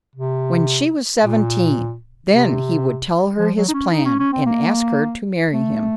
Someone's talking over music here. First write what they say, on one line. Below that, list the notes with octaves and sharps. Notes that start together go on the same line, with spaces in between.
When she was seventeen, then he would tell her his plan and ask her to marry him.
C3
A#2
C3
F3
F#3
D#4
C#4
D#4
C#4
C#4
C4
A#3
A3